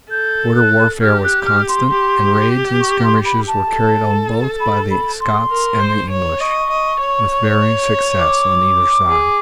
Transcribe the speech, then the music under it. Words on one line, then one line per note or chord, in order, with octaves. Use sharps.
Border warfare was constant and raids and skirmishes were carried on both by the Scots and the English, with varying success on either side.
A4 G6
F#6
G4 F6
F#6
F6
C6
G4
C#6
C6
B5
A5
A4
B5
B5
C6
A#4
C5
C#5
D#5 C#6
D#5
C#5
D6
G#4